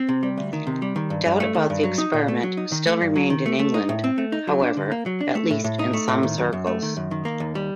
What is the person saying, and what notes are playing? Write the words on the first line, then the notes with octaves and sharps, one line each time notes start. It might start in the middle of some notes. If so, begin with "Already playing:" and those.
Doubt about the experiment still remained in England, however, at least in some circles.
Already playing: C4
C3
G3
D2
D#3
C3
G3
D#3
G2
G2
A3
D#3
G2
F#3
D#4
A#2
A3
F#3
D#4
D#3
A3
G2
F#3
D#3
A3
A3
D#4
A2
C4
A3
D#4
F#3
D4
D3
A#3
F#3
D4
A3
A2
A2
D#4
A3
A2
D#3
F#2
F#2
A3
D#3
F#2
D#3
A#3
D#2
G3